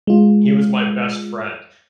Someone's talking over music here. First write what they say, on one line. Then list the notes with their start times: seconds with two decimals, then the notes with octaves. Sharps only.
He was my best friend.
0.07 G#3 F4